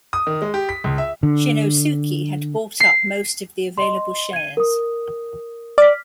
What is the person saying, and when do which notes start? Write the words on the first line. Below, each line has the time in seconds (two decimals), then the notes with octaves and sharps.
Shinnosuke had bought up most of the available shares.
0.13 D#6
0.27 D#3
0.42 G#3
0.54 G4
0.69 B6
0.84 C#2
0.98 E5
1.23 D3
2.80 C7
3.78 D#5 C6
4.33 G#6 D#7
4.57 A#4 D#6
5.78 D5 F6 B6